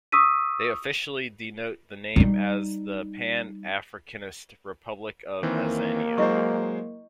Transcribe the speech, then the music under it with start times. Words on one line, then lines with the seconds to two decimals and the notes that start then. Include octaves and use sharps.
They officially denote the name as the "Pan-Africanist Republic of Azania".
0.12 C#6 D#6 E6 B6 D#7
2.16 G3 D#4
5.43 D#3 E3 A#3 C4
6.18 F#3 G#3 E4 C5 D#5 C#6